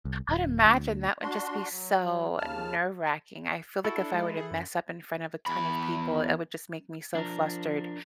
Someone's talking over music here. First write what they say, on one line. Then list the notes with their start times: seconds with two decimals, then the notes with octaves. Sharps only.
I'd imagine that would just be so nerve-racking, I feel like if I were to mess up in front of a ton of people, it would just make me so flustered
0.05 C2
0.29 D#1
0.65 D2
1.22 D4 F#4 C6
1.71 F#3
2.38 D#2 C#3 A5 F6
3.84 E4 F#4 A4
3.97 D4
4.14 G#3
4.37 G#4
4.51 F#2
5.46 E2 B5
7.15 F3 D4 A#4